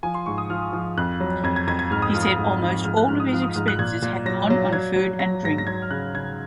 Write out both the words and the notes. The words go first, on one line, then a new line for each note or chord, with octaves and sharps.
He said almost all of his expenses had gone on food and drink.
F3 G#5
C6
G#2 C#6
D#6
F3 F6
F3
F2 F#6
F#3
F2 G#6
G#6
F2 G#6
G#6
G#2 F6
D#6
F3 F6
F6
G#2
F3
G#2 F6
F#6
G#2 F6
D#6
F3 F6
D#6
G#2 F6
F#6
A#2 G#6
A#2
F#3 A#6
F#3
F#3 G#6
F#3
F#3 A#6
G#2 A#6
A#6
F#3 G#6
F6
C#3 F#6
C#3 G#6